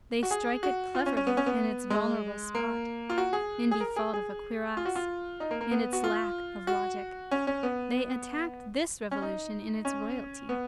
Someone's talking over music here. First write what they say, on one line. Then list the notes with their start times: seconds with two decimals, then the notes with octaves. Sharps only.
They strike it cleverly in its vulnerable spot, in default of a cuirass, in its lack of logic; they attacked this revolution in its royalty.
0.23 F#4
0.31 G#4
0.63 F#4
0.95 F4
1.06 C#4
1.17 C#4
1.27 B3
1.37 C#4
1.46 B3
1.90 G#3
2.55 A#3
3.10 F4
3.18 F#4
3.33 G#4
3.71 G#4
3.81 A#4
3.96 G#4
4.13 G#4
4.77 F4
4.85 F#4
4.96 F4
5.40 D#4
5.51 A#3
5.61 A#3
5.71 B3
5.93 F#4
6.04 F4
6.67 F#4
7.31 C#4
7.47 C#4
7.63 B3
9.11 C#4
9.22 D#4
9.85 C#4
10.49 B3